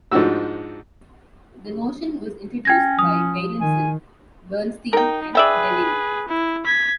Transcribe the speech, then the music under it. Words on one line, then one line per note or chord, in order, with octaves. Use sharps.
The notion was introduced by Beilinson, Bernstein and Deligne.
G#2 F3 D4 D#4 F#4 E6
C#4 G5 G#6 A#6
F3 D#6
D#3 G#5
D#4 A#4 G5
G#4 B4 D5 E5 G5
E4
G#6 B6